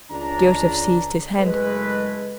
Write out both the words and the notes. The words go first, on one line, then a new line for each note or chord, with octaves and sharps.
Joseph seized his hand.
C#2 D4 A#5
F#1 G#3 A3 B4